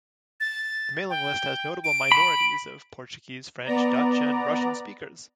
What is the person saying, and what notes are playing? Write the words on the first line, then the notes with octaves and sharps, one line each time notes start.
The mailing list has notable minorities of Portuguese, French, Dutch, and Russian speakers.
A6
G5
D7
B5
B3 D5 A#5